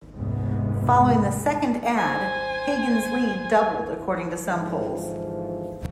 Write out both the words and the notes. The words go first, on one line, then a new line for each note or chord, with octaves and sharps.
Following the second ad Hagan's lead doubled according to some polls.
F1 C#2 G#2 G#3 B3
C5 G#5
G#2 D3 E3 F3